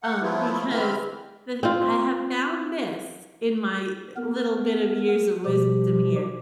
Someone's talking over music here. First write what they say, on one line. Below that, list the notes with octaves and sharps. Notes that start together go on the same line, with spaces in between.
um, because with I have found this in my, eh, little bit of years of wisdom here.
F#5
F3 F#3 A3 B3 E4 F4
D3 E3 C4 B5 F6
C4 F4
B3 A#4
B2 F3 G3 G4